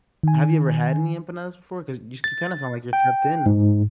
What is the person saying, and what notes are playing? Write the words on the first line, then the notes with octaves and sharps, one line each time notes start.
Have you ever had any empanadas before? 'Cause you s you kinda sound like you're tapped in.
D#3 G#5
A6
G5
G#2